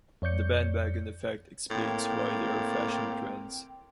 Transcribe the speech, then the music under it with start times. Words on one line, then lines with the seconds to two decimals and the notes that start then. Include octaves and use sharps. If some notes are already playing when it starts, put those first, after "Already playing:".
The bandwagon effect explains why there are fashion trends.
0.22 F2 C#5 D5 G6 C#7
1.70 A2 A#3 C4 G5